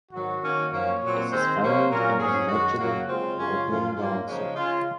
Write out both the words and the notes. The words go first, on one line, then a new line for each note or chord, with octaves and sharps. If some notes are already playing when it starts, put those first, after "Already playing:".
It is found in the medulla oblongata.
G#2 D#3 F#3 F#4
D#3 A#3 C#4
F#2 F3 A#3 C#4 C#5
A#2 F#3 C4
D#3 G#3 C4 C5
C3 F#3 A#3 C#4 C5
A#2 F#3 C#4 A#4
G#2 F#3 C#4 G#4
F#2 D#3 G#3 F#4
F#2 C#3 F#3 A#3 F#4
C#3 G#3 C4 F4
F#2 C#3 G#3 C#4
F#2 F3 G#3 C#4
G#2 F#3 A#3
C#3 F3 G#3 C#4 D#4
C#3 G#3 C#4 F4